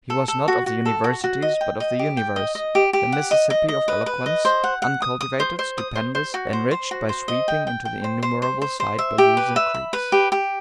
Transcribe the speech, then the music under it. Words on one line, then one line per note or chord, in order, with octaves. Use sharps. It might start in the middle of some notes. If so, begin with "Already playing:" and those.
He was not of the universities, but of the universe; the Mississippi of Eloquence, uncultivated, stupendous, enriched by sweeping into the innumerable side bayous and creeks.
A4
A4
F#4
F#4
A4
F#4
F#4
D#5
G5
D#5
G4
G5
D#5
D#5
G4
G4
F#5
D#5
D#5
D#5
B4
B4
D#5
C5
F#5
F#5
D#6
D#6
C5
C5
D#6
C5
C5
F#4
C5
C5
F#4
C5
D#5
G5
G5
G5
C5
C5
C5
C5
C5
E5
G4
B4
E5
B5
B4
G4
G4